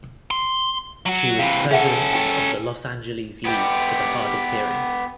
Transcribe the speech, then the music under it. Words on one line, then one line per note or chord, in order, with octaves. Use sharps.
She was President of the Los Angeles League for the Hard of Hearing.
C6
F#3 F#4
C3 E3 F5
C#4 G#4 A4 E5 F#5
G4 G5 G#5
B3 G4